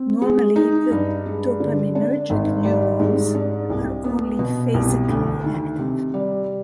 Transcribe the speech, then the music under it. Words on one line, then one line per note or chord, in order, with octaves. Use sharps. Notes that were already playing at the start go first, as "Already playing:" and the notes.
Normally, the dopaminergic neurons are only phasically active.
Already playing: C4
G#3
D#4
G2
G#3
D3
D4
G#1
G3
G#2
D4
C2
B3
B2
C2
D2
D#3
C3
G3